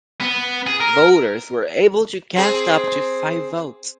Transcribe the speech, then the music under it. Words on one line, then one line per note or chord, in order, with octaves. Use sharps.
Voters were able to cast up to five votes.
B3
G#4
A#4
C4 G#4